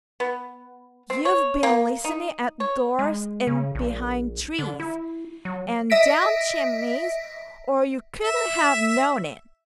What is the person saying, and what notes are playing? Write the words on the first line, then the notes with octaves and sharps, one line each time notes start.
'You've been listening at doors--and behind trees--and down chimneys--or you couldn't have known it!'
B3
C4
C#5
A#3
D#4
C#5
G#3
C#3
A#1
D3
E4
F#3
D#5 E5 A#6 B6 D7
E5